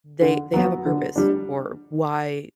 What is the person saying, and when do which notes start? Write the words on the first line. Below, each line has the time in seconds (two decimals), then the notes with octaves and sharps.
they they have a purpose for why
0.22 D3
0.53 F#3 B3 F#4
0.86 D3
1.16 G3 D4